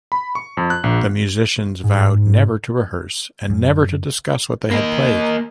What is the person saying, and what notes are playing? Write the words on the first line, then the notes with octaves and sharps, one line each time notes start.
The musicians vowed never to rehearse and never to discuss what they had played.
B5
C#6
F2
F#6
A#1
G#2
F#2
A#3 D#5